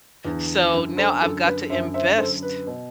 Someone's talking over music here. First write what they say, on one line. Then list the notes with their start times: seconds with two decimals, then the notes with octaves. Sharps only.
so, now I've got to invest
0.25 E2 D3
0.73 F#2 D3
0.97 A4 C5
1.22 F#2 D3 A4
1.45 B4
1.70 F#2 D3 C5 E5
1.94 C5 E5
2.18 F#2 D3 A4 C5
2.42 B4
2.67 B2